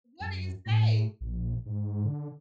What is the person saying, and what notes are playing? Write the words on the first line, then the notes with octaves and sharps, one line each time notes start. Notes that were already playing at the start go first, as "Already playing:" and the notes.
what do you say?
F#2
A2
A#1
G#2
D3